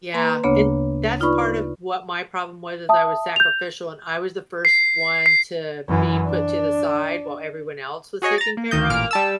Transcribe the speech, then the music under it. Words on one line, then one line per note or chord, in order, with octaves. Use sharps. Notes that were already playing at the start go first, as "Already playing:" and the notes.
Yeah. And that's part of what my problem was, as I was sacrificial and I was the first one to be put to the side while everyone else was taken care of.
A#3 B4 A#5 C6
D2 C#3 A#3 B3 D4 C#5
D#4 F4 B4 D5 B5 C#6
E5 A5 D#6
G6 F7
C7
C7
F#2 E3
D4
F#4 G#4 C#5 D#5
A#5 A6
A#3
D2 D#3 D#5 G6
A1 A#2 F6 D7
G3 A5 E6